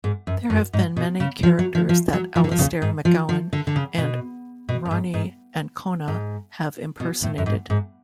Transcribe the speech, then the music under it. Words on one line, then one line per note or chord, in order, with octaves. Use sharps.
There have been many characters that Alistair McGowan and Ronni Ancona have impersonated.
G#2
F#2
F#2
G#2
B2
C#3
F3
F#3
F3
F3
F#3
F3
D3
F3
C#3
G#2
F3
F3
D3
D3
C#3
B2
B2
F#2
G#2
G#2
G#2
B2
A2
F#2
G#2
G#2